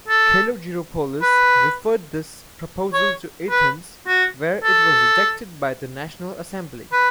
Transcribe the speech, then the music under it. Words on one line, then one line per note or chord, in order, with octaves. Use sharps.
Kalogeropoulos referred this proposal to Athens, where it was rejected by the National Assembly.
A4
B4
C#5
B4
F#4
A4
B4